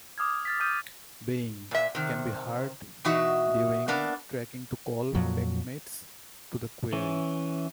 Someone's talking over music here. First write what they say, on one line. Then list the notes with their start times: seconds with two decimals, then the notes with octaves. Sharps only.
Baying - can be heard during tracking to call pack-mates to the quarry.
0.18 D6 D#6 F6 G#6
0.45 F6 A6 B6
0.60 D#6 F6 G6 D#7
1.71 A#2 E5
1.95 C3 D#3
3.05 B2 E3 D#4 F#4 E5
3.88 A#3 B3 D4
5.15 F2 A#2 F3 F#3
6.93 E3 C#4